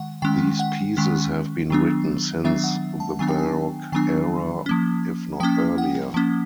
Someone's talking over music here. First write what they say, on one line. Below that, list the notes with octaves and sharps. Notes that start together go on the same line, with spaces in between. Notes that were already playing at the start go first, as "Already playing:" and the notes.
These pieces have been written since the Baroque era if not earlier.
Already playing: D#3 G#3 F#5
D#3 G#3 C#4 G5
F#5
D#3 G#3 C#4
D#3 F#3 B3 D4
D#3 F#3 B3 D4 E5
F#5
A5
D#3 F#3 B3 D4 G#5
G5
G#5
D#3 F#3 B3 D4 G#5
F3 A#3 C#4
F3 A#3 C#4 G5
F#5
F3 A#3 C#4